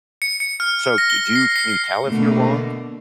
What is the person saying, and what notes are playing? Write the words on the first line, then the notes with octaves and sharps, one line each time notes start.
So c you can you tell if you're wrong?
C#7
C#7
F6
A#6
G7
C7
C7
B2 D3 A3 A#3